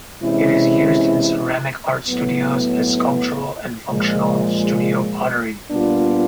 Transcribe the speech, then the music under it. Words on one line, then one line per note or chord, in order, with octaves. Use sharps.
It is used in ceramic art studios as sculptural and functional studio pottery.
C3 E3 G#3 C#4 E4
A2 F#3 B3
A#2 F3 G#3
A#2 G3 B3 D4 F4